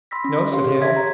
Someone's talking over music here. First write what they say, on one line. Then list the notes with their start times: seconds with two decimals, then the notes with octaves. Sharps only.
"No," said Hale.
0.11 B5 C6 E6 A#6 B6
0.24 C#4
0.52 G4 C#5 F5 C6
0.65 G4 G#4
0.81 C#5 E5 G#6 B6
0.96 A#5